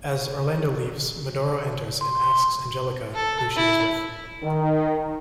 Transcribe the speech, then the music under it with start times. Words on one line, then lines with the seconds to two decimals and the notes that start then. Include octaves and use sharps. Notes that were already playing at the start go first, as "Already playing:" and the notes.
As Orlando leaves, Medoro enters and asks Angelica who she was with.
2.01 C6
3.15 A4
3.56 E4
4.43 D#3